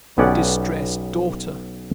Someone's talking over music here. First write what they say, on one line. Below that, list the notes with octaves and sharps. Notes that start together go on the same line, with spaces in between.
Your distressed DAUGHTER.
B1 B3 C#4 G4 D5 F#5